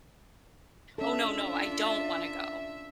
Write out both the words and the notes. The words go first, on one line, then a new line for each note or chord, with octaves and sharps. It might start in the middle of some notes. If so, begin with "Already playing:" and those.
"Oh, no, no, I don't wanna go,"
C#4 D4 F4 A4 E5